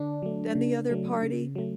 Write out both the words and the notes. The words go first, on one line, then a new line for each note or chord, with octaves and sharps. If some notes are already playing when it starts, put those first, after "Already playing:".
than the other party,
Already playing: D3 D4
F#3 A3
C#3
F#3 A3
C#3
F#3 A3